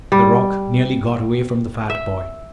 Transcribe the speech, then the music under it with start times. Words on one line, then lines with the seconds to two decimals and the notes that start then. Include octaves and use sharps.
The rock nearly got away from the fat boy.
0.12 G3
1.90 E5